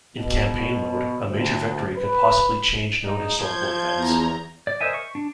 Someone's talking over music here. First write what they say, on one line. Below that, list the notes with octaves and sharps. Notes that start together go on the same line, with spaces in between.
In Campaign Mode, a major victory could possibly change known historical events.
B2
D2
B4
G#3 D#4
F3 G6 G#6
E2 A#5
D5
A#4 C5 D#5 E5 G#5
C#6
D4